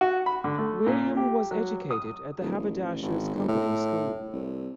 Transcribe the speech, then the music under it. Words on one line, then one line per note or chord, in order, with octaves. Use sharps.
William was educated at the Haberdashers' Company School.
F#4
B5
D3
A3
A#2
G4
F#3
D#6
D1
A1
G#1
G1
A2
C2